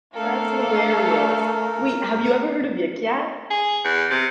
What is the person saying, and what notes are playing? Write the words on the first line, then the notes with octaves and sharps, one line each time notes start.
That's hilarious. Wait, have you ever heard of Yik Yak?
A3 D4 A4 A#4 F5
G#4
E2
C3